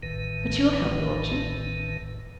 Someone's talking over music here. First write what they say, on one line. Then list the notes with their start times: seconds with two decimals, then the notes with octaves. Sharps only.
But you'll help me, won't you?
0.03 A1 A2 D#3 B4